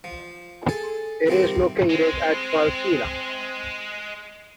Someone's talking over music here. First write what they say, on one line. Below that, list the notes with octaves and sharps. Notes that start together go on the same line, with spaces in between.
It is located at Valkeala.
F3
G#4 A4
C3 D#3 F3 G3 C4
G#3 C4